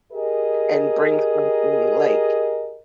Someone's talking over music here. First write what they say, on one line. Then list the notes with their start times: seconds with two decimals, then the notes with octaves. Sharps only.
and bring something," like,
0.12 G4 G#4 A#4 D#5